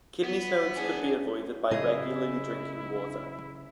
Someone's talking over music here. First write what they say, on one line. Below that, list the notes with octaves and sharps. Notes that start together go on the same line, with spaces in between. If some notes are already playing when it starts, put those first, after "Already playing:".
Kidney stones could be avoided by regularly drinking water.
B3
D4 G#4
C#3 F#3 E4 G#4 D#5